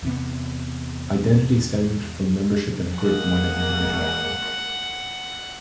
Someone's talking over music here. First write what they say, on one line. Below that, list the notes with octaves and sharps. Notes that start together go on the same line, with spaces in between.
Identity stemmed from membership in a group more than individuality.
E2 C3 B3
G#3 A#3 F#5